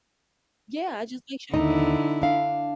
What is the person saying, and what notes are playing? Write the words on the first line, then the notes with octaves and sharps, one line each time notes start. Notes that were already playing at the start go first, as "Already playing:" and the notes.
Yeah, I just like shopping.
D#2 D3 D#4 E4
D4 F5